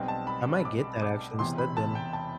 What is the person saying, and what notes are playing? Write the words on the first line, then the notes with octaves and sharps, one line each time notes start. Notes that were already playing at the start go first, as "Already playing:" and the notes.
I might get that actually instead then,
Already playing: B1 B2 G3 C4
A5
B5
D6
D6
E1 E2 C3 C6
B5
A5
G5
A5